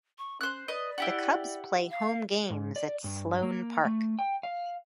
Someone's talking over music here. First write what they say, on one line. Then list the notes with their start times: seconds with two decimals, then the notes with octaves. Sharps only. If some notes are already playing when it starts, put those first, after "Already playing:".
The Cubs play home games at Sloan Park.
0.18 C#6
0.41 C#4 C5 F#6
0.68 B4 D5 D#5
0.98 E4 G4 F#5
1.91 F5
2.50 G#2
2.76 D5
3.04 G2
3.42 A#3
3.85 A3
4.19 G5
4.43 F5